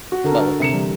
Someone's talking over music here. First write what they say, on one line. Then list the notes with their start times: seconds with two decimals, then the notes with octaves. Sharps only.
What would be?
0.12 F#4
0.24 D3 A4 A#4
0.60 C3 C#7 E7
0.73 E3 G3